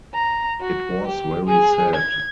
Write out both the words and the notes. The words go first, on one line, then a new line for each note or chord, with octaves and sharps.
It was very sad.
A#5
F#4
G4
G#4
G#6